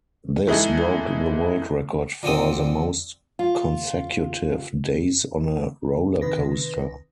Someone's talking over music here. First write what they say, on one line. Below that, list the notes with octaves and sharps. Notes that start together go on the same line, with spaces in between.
This broke the world record for the most consecutive days on a rollercoaster.
E3 G#3 D#4 E4 G#4 A4
A#2 D3 C4 D#6
F4
B1 C3 D#3 B4 A#6